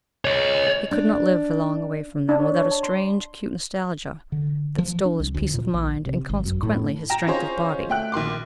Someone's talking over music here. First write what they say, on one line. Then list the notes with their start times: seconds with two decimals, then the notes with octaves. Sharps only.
He could not live for long away from them without a strange, acute nostalgia that stole his peace of mind and consequently his strength of body.
0.25 C#5 D#5
0.91 D4
2.29 D4
2.40 C#5
2.55 C#5
2.71 A5
2.83 C6
4.32 D3
4.78 F3
5.05 D4
5.20 C2
5.34 D2
5.54 A#2
5.74 A#1
6.06 C3
6.29 G#1
6.45 F#2
6.63 A2
7.10 G5 A#5 A#6 E7
7.27 C#4 D#4 F4 G#4 C5 C#5
7.89 A3 G5 F#6
8.12 A#1 D#3 C6 D6